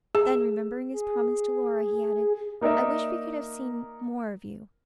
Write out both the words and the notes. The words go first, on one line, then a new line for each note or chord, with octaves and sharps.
Then remembering his promise to Laura, he added, 'I wish we could have seen more of you.
G#4
G#4
A#3 D#4 A#4 D5 E5